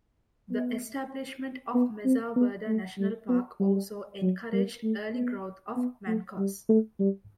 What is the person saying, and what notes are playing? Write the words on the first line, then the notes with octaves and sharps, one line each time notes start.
The establishment of Mesa Verde National Park also encouraged early growth of Mancos.
B3
B3
C4
B3
A3
G3
B3
G3
F#3
G3
A3
B3
B3
A3
G3
A3
G3